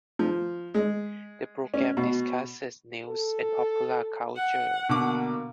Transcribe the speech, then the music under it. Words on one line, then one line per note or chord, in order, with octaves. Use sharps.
The program discusses news and popular culture.
F3
G#3
C#4
B2
A4
F#5
B2 D3 A#3 D6